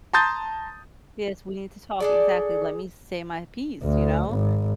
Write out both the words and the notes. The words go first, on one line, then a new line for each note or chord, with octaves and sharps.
Yes, we need to talk exactly, "Let me say my piece," you know.
A5 A#5 C6 D#6 G6 A6
D4 G#4 A4 D5
D2
G#1